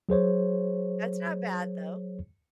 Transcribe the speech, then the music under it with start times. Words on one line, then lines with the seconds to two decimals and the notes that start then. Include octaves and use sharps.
That's not bad, though.
0.09 F#3 G#4 C5 C#5